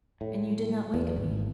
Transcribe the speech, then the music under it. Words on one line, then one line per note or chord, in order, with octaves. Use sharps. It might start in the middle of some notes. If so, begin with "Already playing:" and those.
"And you did not awaken me?"
A2
E2
G#1